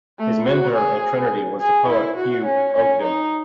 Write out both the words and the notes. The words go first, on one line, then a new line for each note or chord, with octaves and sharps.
His mentor at Trinity was the poet Hugh Ogden.
A3
F#4
G#4
G#4
E4
F#4
C#4
C#4
D#4